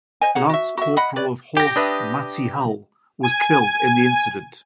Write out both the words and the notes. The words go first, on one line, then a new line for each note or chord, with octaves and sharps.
Lance Corporal of Horse Matty Hull was killed in the incident.
C5 D#5 G#5
D#4 G#4 C#5 F#5
F#4 E5
F#4 E5
D#5 F#5 B5
B4 C#5 D5
G4 G5 A#6
D4 B4 E5 D#6
G#5